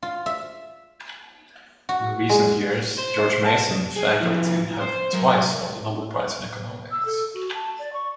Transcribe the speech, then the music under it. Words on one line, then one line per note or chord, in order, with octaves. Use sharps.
In recent years, George Mason faculty have twice won the Nobel Prize in Economics.
F4
E5
F#4
G#3
C5
A5
G#4
F3 E4
C5
F#3 A#4
E6
A4
F#4
A5
D5
C#6